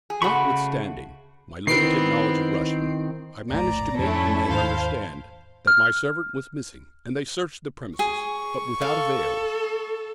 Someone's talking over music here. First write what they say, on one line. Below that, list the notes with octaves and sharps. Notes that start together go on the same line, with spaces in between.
Notwithstanding my limited knowledge of Russian, I managed to make the men understand that my servant was missing, and they searched the premises, but without avail.
G#4
C#3 A3 F#4 B5 C#6
D#3 B3 C4 D#4 E4 A#4 C7 D7
E1 A#1 A2 A3 D5 A#5
F2 F3 A3 C#4 D4 E4 A4
D#2 G#2 D#3 C5 F5
F6
G#4 C#6
A4 F5